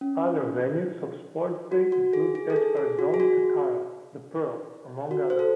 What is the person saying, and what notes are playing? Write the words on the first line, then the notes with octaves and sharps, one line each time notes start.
Other venues of sports day include Aspire Zone, Katara, The Pearl, among others.
C#4
F#4
F#4
G#4
G#4
A4
G#4
G#4
F#4
G#4
F#4
F#4
C5
A4